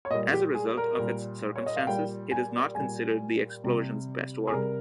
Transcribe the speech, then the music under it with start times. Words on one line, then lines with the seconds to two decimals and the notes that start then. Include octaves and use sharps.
As a result of its circumstances, it is not considered The Explosion's best work.
0.05 C#5
0.11 A#2 D#5
0.15 G3
0.33 G4
0.55 G#4
0.77 A#4
0.99 A#2 G3
1.56 C#5
1.66 D#5
1.76 F5
1.87 A#2 G3 G5
2.31 G#5
2.75 A#2 G3 G#5
3.64 C3 G3
4.47 G#4
4.52 C3 G3 A#4